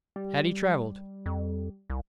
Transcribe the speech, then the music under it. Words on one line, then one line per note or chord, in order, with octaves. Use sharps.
Had he travelled?
G3
F2
C2